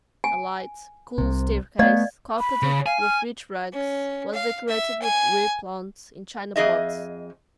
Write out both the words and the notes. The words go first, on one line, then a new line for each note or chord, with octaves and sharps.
A light, cool staircase, carpeted with rich rugs, was decorated with rare plants in china pots.
G#5
C2 C3
A3 B3 D5 D#5 F5
B5
C#3
F5 G#5
F6
C#4
F5
E5
G#5
F2 G#4 D#5 E5